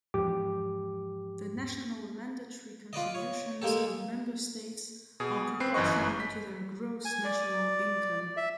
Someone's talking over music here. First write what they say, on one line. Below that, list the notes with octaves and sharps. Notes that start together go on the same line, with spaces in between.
The national mandatory contributions of member states are proportional to their gross national income.
E2 G#2 F3 G4 D6
F4 B4 D5 D#5
C#5
G#3 A#3 G4 A4
B2 G#4
C4 B4 C7
G1 F#2 E3 B4 D#5 C#6
B6
G#5
D5
E5